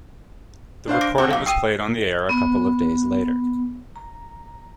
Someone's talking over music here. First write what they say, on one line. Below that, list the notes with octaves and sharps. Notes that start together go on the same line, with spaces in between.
The recording was played on the air a couple of days later.
D4 C5 F5
D6 A#6 D7
C4 F#4 A4 D6
B1 F5 D6
G5 D#6 E6 D#7
B3
A#5